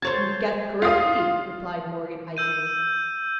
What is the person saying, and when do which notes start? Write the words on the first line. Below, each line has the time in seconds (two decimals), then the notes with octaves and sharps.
"You have guessed correctly," replied Morgan, icily.
0.02 C5 C#5 A5 G#6
0.82 F4 F5 D#6
2.37 E6 G6 D#7